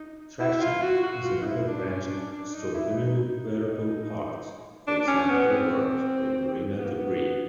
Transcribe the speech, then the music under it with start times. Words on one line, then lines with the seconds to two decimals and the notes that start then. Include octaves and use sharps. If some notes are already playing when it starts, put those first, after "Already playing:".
Trashion is another branch of extraordinary wearable art, for example, work by Marina DeBris.
Already playing: D#4
0.40 E4
0.61 F4
0.82 F#4
1.04 F#4
1.25 F4
1.42 D#4
1.46 E4
1.68 D4
1.89 C#4
2.10 D4
2.32 D4
2.53 D#4
2.74 E4
2.95 D#4
4.88 D4
5.08 C#4
5.30 B3
5.51 C4
6.78 B3
6.85 A#3
6.92 B3